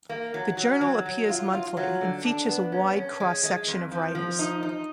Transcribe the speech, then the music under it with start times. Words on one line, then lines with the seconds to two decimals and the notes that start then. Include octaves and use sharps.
The journal appears monthly, and features a wide cross-section of writers.
0.09 A#3
0.34 F#3
0.57 F#3
0.81 F#3
1.06 F#3
1.29 F4
1.53 F4
1.77 F#3
2.01 D3
2.24 D4
2.49 B3
2.72 C#4
2.97 C#4
3.20 G#3
3.43 G#3
3.67 F2
3.92 F3
4.15 F3
4.39 D#4
4.63 D#4